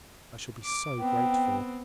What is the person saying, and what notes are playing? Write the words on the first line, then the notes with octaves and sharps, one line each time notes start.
I shall be so grateful.'
D6
B3 C4 G5